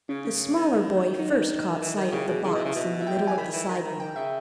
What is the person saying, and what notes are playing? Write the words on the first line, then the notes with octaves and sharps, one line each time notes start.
The smaller boy first caught sight of the box in the middle of the sidewalk.
C#3 C#4
C#4
D#3 D#4
D#4
E3
D#3
G4
C#3 E4
B2 G#4
C#3 G#4
B2 D#5
E5
C#3
B2
E5
G5
G#5
D#3 B5
E3
D#3 A#5
D#3
D#3 G5
C#3 E5